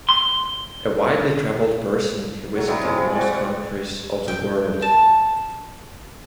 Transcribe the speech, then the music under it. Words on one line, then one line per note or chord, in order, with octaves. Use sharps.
A widely travelled person he visited most countries of the world.
C6
F#3 A3
F#3 G3 D#4 E4
C3 G#3 E4
F3
G3 F#4
G5
A5